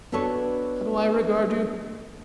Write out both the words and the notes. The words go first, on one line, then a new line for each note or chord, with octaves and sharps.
How do I regard you?
B3 D4 F#4 A4 B4 C#5